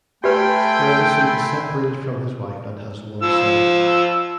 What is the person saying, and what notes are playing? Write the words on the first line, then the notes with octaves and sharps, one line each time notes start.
Ferguson is separated from his wife and has one son.
A3 G4 B4 G5 G#5 B5 C6
F3 E6